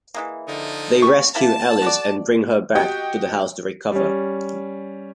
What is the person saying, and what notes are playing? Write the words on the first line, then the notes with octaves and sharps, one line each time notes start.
They rescue Alice and bring her back to the house to recover.
E3 G#3 A#3
D3 F3 D#4
G4 C#6
A#3 E4 G4 A5
F#4 A4 D5
F#4 G4 D#5 G5
G3 C#4